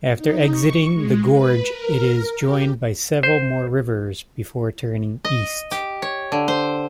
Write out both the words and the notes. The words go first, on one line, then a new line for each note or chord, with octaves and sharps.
After exiting the gorge it is joined by several more rivers before turning East.
D#4
C#6
G#3
B4
A#4
G4
C5
D#5
G4
C#5
D3
C5